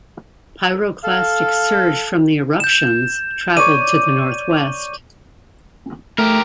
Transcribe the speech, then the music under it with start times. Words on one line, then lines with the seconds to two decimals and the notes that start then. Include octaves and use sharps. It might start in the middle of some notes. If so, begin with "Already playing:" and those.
Pyroclastic surge from the eruptions traveled to the northwest.
1.04 A4 F5
2.60 G6 E7
3.57 C#5 D5 D#7
6.18 A3 G4 A#4